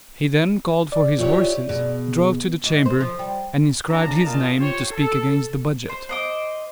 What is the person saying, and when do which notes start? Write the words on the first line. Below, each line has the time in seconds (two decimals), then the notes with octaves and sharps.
He then called for his horses, drove to the Chamber, and inscribed his name to speak against the budget.
0.92 D5
1.18 E4 F4 G4 C#5
1.69 B2 G#4
2.65 G#2
2.86 C5
3.00 F3
3.19 G3
3.89 B1 D4 A5 A#5
4.24 A#2 C#4 D#4 F4 A#4 A5
4.59 F4 G4 C5 C#5
4.92 A4
5.89 C5
6.09 C5 D#5 D6